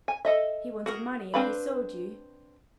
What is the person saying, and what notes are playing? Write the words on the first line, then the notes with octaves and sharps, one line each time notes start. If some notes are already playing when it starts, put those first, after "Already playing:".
He wanted money, and he sold you.
G#5
A4 D#5 E5
F#4 G#4 A#4
C4 D4 B4 F5 B5